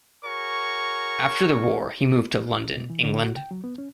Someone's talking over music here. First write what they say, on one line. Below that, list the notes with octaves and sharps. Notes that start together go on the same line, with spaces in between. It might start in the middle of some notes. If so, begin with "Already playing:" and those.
After the war he moved to London, England.
F#4 G#4 A#4 C#5 C#6
B2
E3
D3
F#4
G5
F#3
B3
C#4